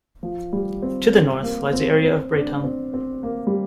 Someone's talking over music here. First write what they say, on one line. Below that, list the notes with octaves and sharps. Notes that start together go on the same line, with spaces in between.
To the north lies the area of Braetongue.
F3
G3
C4
C4
A#3
C4
C4
D4
C4
C4
A#3
G3